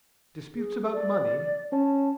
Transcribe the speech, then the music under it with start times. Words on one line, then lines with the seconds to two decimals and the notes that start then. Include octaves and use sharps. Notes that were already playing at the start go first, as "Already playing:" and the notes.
"Disputes about money?"
0.55 G#4
0.93 D5
1.72 C#4 A5